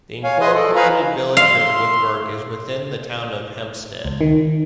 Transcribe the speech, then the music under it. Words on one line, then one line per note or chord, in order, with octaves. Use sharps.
The Incorporated Village of Woodsburgh is within the Town of Hempstead.
C#5 F5 G#5
G#4 B4 D#5 G#5 C6 D#6
A4 D5 D#5
B4 F5 G#5 A#5 B5
E5 F5 C6
C#2
D#3